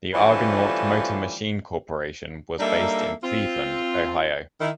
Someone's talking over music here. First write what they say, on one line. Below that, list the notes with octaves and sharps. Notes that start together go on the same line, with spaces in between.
The Argonaut Motor Machine Corporation was based in Cleveland, Ohio.
D3 E3 F3 G3 A3 C#4
G3 A#3 D4 D#4 A4 E5
C4 F4
D#3 E4